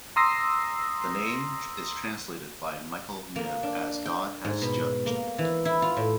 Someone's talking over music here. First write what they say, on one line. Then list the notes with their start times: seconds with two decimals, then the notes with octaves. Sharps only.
The name is translated by Michael Knibb as "God has judged".
0.16 A#5 C6 D#6 E6 A#6 C7
3.36 A#3
3.63 D4
4.06 G5
4.45 G#2
4.62 B2
5.06 A#3
5.38 E3
5.65 E4
5.82 F4
5.96 A2